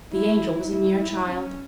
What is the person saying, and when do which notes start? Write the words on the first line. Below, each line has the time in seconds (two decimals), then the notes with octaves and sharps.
The Angel was a mere child.
0.12 E4
0.71 E4
1.29 C#4